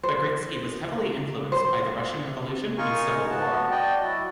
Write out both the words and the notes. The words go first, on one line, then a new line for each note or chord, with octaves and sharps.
Bagritsky was heavily influenced by the Russian Revolution and Civil War.
C5
C5
D#4 F4 A#4 G#5 C#6
B3 F#4 A5
D5 D#5 G5 A5
F#3 E4 F#4